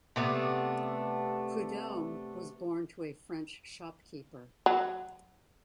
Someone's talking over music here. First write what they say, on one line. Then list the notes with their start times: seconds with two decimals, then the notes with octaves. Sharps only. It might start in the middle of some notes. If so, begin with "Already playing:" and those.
Prudhomme was born to a French shopkeeper.
0.16 C3 A3 B3 D4
4.66 F#3